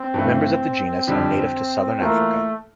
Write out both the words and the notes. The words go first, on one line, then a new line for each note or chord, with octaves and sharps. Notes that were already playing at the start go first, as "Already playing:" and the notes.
Members of the genus are native to southern Africa.
Already playing: C4
G2 E3 A3
F2 D3 G3
E3 A3 A#3 F4 A#4